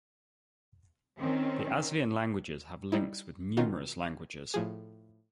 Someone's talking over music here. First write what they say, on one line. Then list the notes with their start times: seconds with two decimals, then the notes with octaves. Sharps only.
The Aslian languages have links with numerous languages.
1.19 D#3 C4 C#4
2.92 G3 D#4 E4
3.57 B2 D#3 C#4 D#4 F4 F#4
4.54 A2 F3 G#4